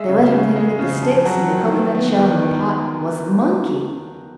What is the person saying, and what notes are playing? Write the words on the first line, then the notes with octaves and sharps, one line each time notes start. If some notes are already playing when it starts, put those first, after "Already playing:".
They let him think that the sticks and the cocoanut shell in the pot was the monkey.
Already playing: G#3 E5
C#3
C#3
G#3
C#3
F3
F#3 F#5
D#3
D#3
B3
D#3
D#3